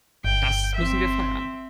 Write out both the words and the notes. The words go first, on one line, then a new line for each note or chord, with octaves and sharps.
Das müssen wir feiern.
G1 G5
C4 E5